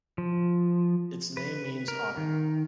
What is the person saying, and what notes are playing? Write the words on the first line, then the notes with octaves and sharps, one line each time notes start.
Its name means "otter".
F3
B4
A#4
D#3